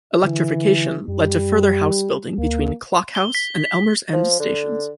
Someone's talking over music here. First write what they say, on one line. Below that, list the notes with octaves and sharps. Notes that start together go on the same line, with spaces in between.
Electrification led to further house building between Clock House and Elmers End stations.
D3 E3
F#2 G3
D2 A#3
G7
B6
F3
D3